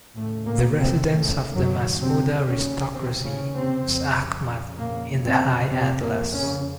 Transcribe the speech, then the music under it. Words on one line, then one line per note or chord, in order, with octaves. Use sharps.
The residence of the Masmuda aristocracy was Aghmat in the High Atlas.
D#2 A2 C#3 A3
A#2 A#3
C3 C4
A2 A3
F#2 F#3
C3 C4
C#3 C#4
C3 C4
C#3 C#4
C3 C4
F2 C#3
A#2 A#3
C3 C4
C3 C4
A#2 A#3
C#3 C#4